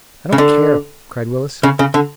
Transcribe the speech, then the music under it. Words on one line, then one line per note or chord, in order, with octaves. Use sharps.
"I don't care!" cried Willis.
C#3
D3
C#3
C#3
D3